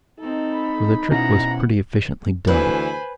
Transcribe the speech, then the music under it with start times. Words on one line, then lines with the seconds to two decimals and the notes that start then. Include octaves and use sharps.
For the trick was pretty efficiently done.
0.20 C4 D#4 A4
0.53 B5
1.11 B2 C#4 E4 F#5 A#5
2.47 D2 E3 B4 C5 G#5 B5